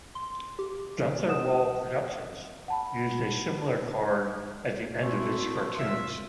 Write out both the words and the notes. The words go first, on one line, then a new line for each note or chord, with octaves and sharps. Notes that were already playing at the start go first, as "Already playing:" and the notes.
Gunther-Wahl Productions used a similar card at the end of its cartoons.
C6
G4
D#5 F#5 D#6 E7
F#5 A5 B5
D#3 A3 C4 E4 F#4 C6
F4 E5